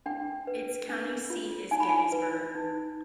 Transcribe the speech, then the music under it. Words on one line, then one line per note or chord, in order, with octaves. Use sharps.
Its county seat is Gettysburg.
D4 G5
B4
D4
F4
D#4 G#5
B5
G#5
B4
D#4